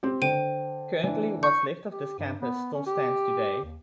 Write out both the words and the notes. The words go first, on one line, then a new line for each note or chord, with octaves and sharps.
Currently, what's left of this campus still stands today.
C4 G4
D3 C5 G5 D#7
E3 D4
C#6 G6
G4
G2
B3
C#4
G4
D#2